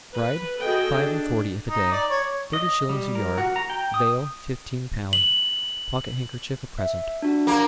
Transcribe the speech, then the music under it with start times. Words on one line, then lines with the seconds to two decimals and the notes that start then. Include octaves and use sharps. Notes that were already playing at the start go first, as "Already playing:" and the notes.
'Bride; five-and-forty if a day, thirty shillings a yard, veil fifteen pound, pocket-handkerchief a present.
0.16 B4
0.61 F#4 G#4 A4 D#5 G5
0.95 D4
1.69 D#4
1.91 D5
2.10 C#5
2.53 D#5
2.89 G3
3.15 A#4
3.38 F#4
3.56 A#5
3.70 G5
3.94 D#6
5.13 F#7
6.79 E5
7.22 D4 F#4
7.47 A#3